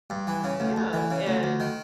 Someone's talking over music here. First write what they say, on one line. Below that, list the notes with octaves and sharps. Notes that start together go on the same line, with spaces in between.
Yeah, and
G2
E3
C#3
D2
D2
E3
C#3
D2
D2
D#3